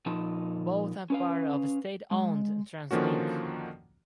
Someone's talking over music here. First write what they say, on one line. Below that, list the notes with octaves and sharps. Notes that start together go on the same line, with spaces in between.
Both are part of state-owned Translink.
A#2 F3 D#4 A5
C#4 B4 F5
G#3
D3 D#3 F3 A#3 C#4 F#4